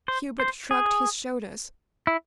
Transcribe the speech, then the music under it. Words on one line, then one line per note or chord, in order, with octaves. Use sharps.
Hubert shrugged his shoulders.
C5
C5
G#4
E4